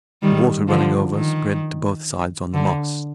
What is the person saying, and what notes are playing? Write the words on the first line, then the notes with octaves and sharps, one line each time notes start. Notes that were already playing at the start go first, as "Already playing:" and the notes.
The water running over spread to both sides on the moss.
D#3 G3
D3 F3
D#3
D3